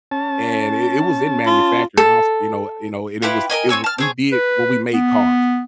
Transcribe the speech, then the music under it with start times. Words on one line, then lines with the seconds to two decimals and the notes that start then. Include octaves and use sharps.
and it it was in manufacturing also, you know you know, and it was it w we did well, we made cars,
0.11 C#4 A5
1.46 F4
1.97 A4
3.22 E4 F4 G4 B4
3.50 A#4 B4 D#5 G#5
3.69 C4 C#5 G#5 E6
3.84 A5 F6
3.98 C4 G#4 C#5
4.32 B4
4.93 B3